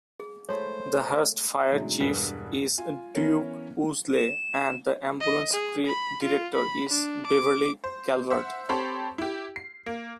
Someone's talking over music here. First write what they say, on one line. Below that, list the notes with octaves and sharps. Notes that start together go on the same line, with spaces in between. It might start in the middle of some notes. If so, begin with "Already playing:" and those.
The Hurst Fire Chief is Duke Woolsey and the ambulance director is Beverly Calvert.
G#4
G#3 A3 E4 C5 C#5
A2 C3 D#3 F#3 G#3 D4
E1 G2 G3 G#4 B4 B6
F4 G#5
E3 B3 C#4 E4 A#4 C#5
E7
D#5
G#4
B5
F4
B5
D4
D6
C5
C5 E5 F#5
C4 G4 A4 C#5 B5 C6
E4 G4
C7
A#3